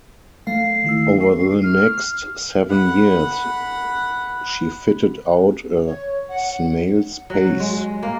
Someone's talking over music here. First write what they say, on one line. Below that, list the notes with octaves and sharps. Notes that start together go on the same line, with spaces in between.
Over the next seven years, she fitted out at a snail's pace.
A3 F5 C7
D#3 E4 E6
C#6
F6
F#5 B5
C#5
F#5
F#3
G#3
A#3